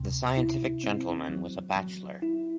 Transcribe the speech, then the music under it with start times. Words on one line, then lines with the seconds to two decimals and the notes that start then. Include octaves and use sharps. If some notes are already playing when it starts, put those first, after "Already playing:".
The scientific gentleman was a bachelor.
Already playing: D2 C3
0.37 E4
0.84 C4
1.30 F#3
1.76 F#3
2.22 E4